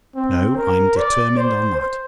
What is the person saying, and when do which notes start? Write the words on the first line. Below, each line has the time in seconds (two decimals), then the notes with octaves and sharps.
No: I'm determined on that.
0.16 C4
0.57 A#4
0.97 D5
1.37 C5
1.77 C5